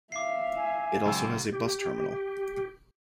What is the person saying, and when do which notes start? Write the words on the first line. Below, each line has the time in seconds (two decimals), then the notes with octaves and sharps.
It also has a bus terminal.
0.12 E5 F5 D6 C7
0.56 G#5
1.05 C#2 F#3 E6
1.53 G4